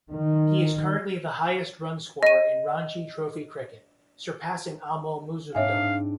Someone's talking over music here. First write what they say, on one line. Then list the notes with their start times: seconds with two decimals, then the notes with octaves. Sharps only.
He is currently the highest run-scorer in Ranji Trophy cricket, surpassing Amol Muzumdar.
0.10 D#3
2.23 D#5 D#7
5.55 G#2 C4 D4 C#5 E5 F5 G#5